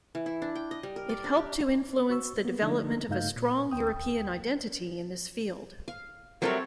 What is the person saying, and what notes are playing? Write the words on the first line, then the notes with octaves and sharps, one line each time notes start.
It helped to influence the development of a strong European identity in this field.
E3
E4
D4
G5
D#5
G3
A#4
D5
D4
G4
F#4 C#6 E6
A#3 B3
D3 F3 A3 D4 D#4
G2 C#3 A3 D#4 F5 G6
A#2
D2 G5 D#6
F5
F#3 G3 A3 C4 A4 A#4 C#5